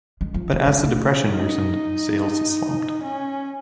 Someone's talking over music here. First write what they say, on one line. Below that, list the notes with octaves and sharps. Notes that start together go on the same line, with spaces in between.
But as the Depression worsened, sales slumped.
G#3
F3
D#4
G#3
A3
D#4
C#4